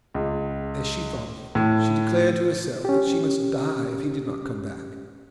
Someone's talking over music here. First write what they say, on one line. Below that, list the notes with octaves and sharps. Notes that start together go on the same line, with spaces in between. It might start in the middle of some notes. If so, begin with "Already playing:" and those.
As she thought of it, she declared to herself that she must die if he did not come back.
C#2
A2
C#4 G4